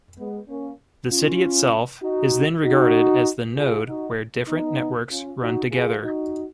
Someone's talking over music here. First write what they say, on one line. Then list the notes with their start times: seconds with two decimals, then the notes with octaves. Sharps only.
The city itself is then regarded as the node where different networks run together.
0.18 G#3 B3
0.49 A#3 C#4
1.10 C#4 F4
2.03 D#4 F#4
2.64 D#4 F#4
3.56 F4 G#4
3.87 D#4 F#4
4.48 B3 D#4
5.11 C#4 F4
5.40 D#4 F#4
5.72 F4 G#4
6.02 D#4 F#4